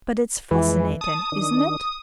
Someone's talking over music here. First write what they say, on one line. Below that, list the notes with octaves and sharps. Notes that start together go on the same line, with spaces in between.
But it's fascinating, isn't it?
F2 E3 G#3
A5 D#6
D#3 D4